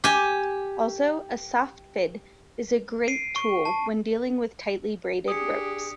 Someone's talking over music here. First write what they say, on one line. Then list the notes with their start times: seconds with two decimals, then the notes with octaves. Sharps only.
Also a Softfid is a great tool when dealing with tightly braided ropes.
0.04 G4 G#5
3.08 C7 D7 D#7
3.36 C#6
3.65 A5
5.28 D4 G4 G#4 D#6 C#7